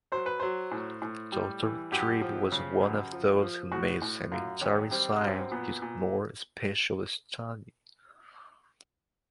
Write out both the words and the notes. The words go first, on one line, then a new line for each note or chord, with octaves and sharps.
Doctor Tripe was one of those who made sanitary science his more special study.
F#3 C5
B4
F#3 C5
A2
A2
G3
E3
F#2 G4
F3
C#3
F#2
F3
F3
A2 F#4
A2
F#2 F4
D#3 C#4
G3 C4
F#2
C#4
C4
A#2 B3
A#2